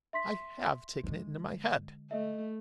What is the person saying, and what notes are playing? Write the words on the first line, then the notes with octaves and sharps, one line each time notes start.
I HAVE taken it into my head.'
E5 C6 B6
D3 G#3
A3 D#5 E5